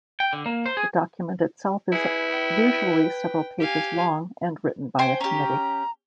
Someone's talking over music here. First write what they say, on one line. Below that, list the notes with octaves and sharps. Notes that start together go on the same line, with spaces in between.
The document itself is usually several pages long and written by a committee.
G5
D3
A#3
C5
G#4
E4 G#4 B4
G5
G4 F5 G#5
C5 G5 G#5
C#4 G4 A#5